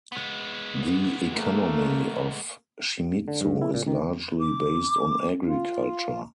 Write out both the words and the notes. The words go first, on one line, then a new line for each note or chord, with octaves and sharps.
The economy of Shimizu is largely based on agriculture.
G#3 B3
A3 A#3
D3
G2
E4
A#2
D#3
D6
F4